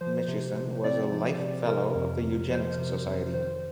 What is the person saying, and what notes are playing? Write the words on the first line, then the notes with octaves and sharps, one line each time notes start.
Mitchison was a Life Fellow of the Eugenics Society.
F3 C5
C3
C3
C4 D5
F3
C3
C3 A#4
F2
F2
F3 C5
C3
F2
D#3 C5